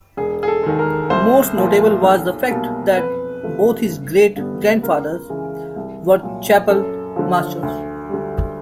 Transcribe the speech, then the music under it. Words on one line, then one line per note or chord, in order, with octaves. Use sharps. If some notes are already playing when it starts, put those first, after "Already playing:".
Most notable was the fact that both his great-grandfathers were Chapel Masters.
E1 G#4
G#4
A4
D#2 D#3 G#3
A#4
C2 C5
A#2 F3 A#3
B1
B2 G3 A#3
F2 B4
C3 F3 A3
G1
G2 D3 G3 B3
C#2 A#4
C#3 E3 G#3
C2
A#2 F#3
F#2 A4
D3 F3
D2
D3 G3